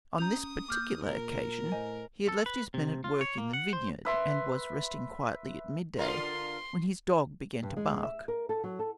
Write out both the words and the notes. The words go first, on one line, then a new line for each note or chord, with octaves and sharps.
On this particular occasion he had left his men at work in the vineyard, and was resting quietly at midday, when his dog began to bark.
C#4 A#5 D#6 G6 F7
A#3 D6 F6 G6
A#2 A#4
A2 C5 D#5 G#5
A4
B4
C3
F4
C#5
A#3
F#5
C5
B4 E5 C6
D3 F4 A#4 C6
G2
G#3
E5
A#4
A4
F#3
A4